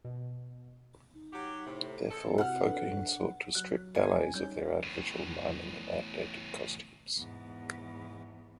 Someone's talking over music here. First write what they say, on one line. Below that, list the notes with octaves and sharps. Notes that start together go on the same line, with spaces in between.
Therefore, Fokine sought to strip ballets of their artificial miming and outdated costumes.
B2
D#4
F#3 F#4 G4
A2 C3
G#3 C4 A4
C2 F#4 F#5 F6
D4 A4 B4
F#3 F#6
G#5
G3 C#4 D#4 G6
E2 A2
E2 G#2